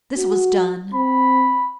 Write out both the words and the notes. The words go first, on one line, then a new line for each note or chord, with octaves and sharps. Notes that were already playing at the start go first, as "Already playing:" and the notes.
This was done.
F#4
C4 B5